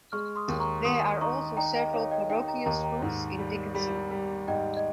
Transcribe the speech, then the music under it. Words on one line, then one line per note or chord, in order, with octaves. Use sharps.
There are also several parochial schools in Dickinson.
G#3 C#6 F6
C6 D#6
D#2
A#5 C#6
D#2 C6 D#6
D#4 A#5 C#6
D#4 G5 A#5
D#5 G5
D#4 C#5 F5
D#5 G5
D#4 D#5 G5
G5 A#5
D#2 G5 A#5
G5 A#5
G#2
G3
G3
G3
G#2 D#5 G5
D#5